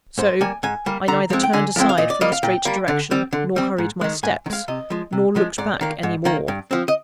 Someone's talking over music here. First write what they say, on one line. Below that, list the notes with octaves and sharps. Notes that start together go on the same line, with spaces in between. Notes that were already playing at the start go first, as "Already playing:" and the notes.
So, I neither turned aside from the straight direction, nor hurried my steps, nor looked back any more.
G#2 C5
G3 A#3 G#5
G#2 G#5
G3 A#3
D3 A#5
F3 G#3 C4
G5
D3 G#5
F3 G#3 C4 G5
F5
A#2 D#5
D5
G3 A#3 D#5
F5
A#2 G5
G3 A#3
D3
G3 C4
D3
G3 C4
G#2
D#3 G#3
G#2 G#5
D#3
G#3 F5
C3 D#5
F3 G#3
C3
F3 G#3
G#2 D5
D#3 A#3
G#2
D#3 A#3
G2
F3 C4
D#5